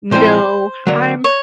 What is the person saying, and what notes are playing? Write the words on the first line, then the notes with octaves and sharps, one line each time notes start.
No, I'm
A#2 F3 G#3 C4 E4 C5
D3 F#3 A#3
C#5